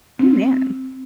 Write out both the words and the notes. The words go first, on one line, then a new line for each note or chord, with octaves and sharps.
Oh, man.
C4